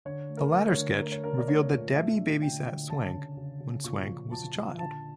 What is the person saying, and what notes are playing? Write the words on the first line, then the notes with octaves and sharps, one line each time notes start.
The latter sketch revealed that Debbie babysat Swank when Swank was a child.
D3 C#5
A3
A#4
A3
C#5
D3
A3 A#4
C#5
D4 A#4
D5
A3 C#5
A#2
A3 E5
D4
D3 G5
D3
C#3 A5
C#4
C#3
C#3
A#2 C#6
F3
A#2 A5
A#2
D3 A5